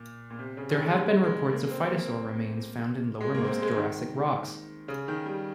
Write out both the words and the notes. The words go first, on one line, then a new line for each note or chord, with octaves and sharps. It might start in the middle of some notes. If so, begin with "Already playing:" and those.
There have been reports of phytosaur remains found in lowermost Jurassic rocks.
Already playing: A#2
A#2
C3
C#3
C#3
D#3
G#3
G3
G#3
A#3
C4
A#3
G#3
A#3
C4
A#3
G#3
D#3
C#3
D#3
G3